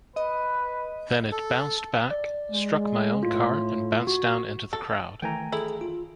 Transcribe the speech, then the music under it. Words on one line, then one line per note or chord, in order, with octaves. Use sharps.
Then it bounced back, struck my own car and bounced down into the crowd.
B4 D#5
A4
D5
G#3
A2 F4
F#4
A4
D#3 E3 A3 G5 G#5 A#5
E4 G#4 A4
F4